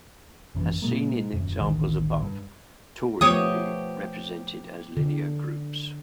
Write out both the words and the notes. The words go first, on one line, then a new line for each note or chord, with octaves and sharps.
As seen in the examples above tori can be represented as linear groups.
G#1 F#2 E3
A#2 F#3 G#3 A#3
D#1 F#2
A1 D2 D#3
G2
F3 A3 B3 G4 C#5 D#6
D3